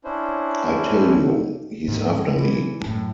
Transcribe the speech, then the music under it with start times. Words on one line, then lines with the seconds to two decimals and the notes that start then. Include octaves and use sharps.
I tell you he's after me.
0.04 C#4 D4 E4 C5
1.88 G#2 D#3
2.18 G#3
2.37 E3
2.86 F#2 A2